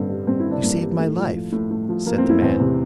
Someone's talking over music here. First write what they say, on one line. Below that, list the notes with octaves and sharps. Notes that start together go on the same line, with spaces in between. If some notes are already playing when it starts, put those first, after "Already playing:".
"You saved my life," said the man.
Already playing: G2 D3 C4
G3
G2 C4
E4
D3
D4
G2 A#3
G3
A2 A3
F3
F3
A2
A2
F3
F3 A#3
C4
A2
E4
E2 C4
C3